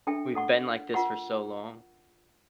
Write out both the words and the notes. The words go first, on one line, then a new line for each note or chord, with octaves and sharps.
We've been like this for so long.
D4 A4 E5 G5
A4 F#5 C#6
F4 A#4 F#5 C#6